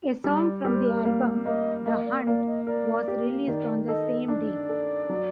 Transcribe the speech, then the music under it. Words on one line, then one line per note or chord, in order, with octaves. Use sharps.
A song from the album, "The Hunt, "was released on the same day.
G3 D5
G3 A#4
C5
A#4
A#3
A#3 D#5
A#3 D#5
D5
A#3 D5
D#5
A#4 D5
G4
D#3 D5
A4 D#5
D4 D5
A4
F#3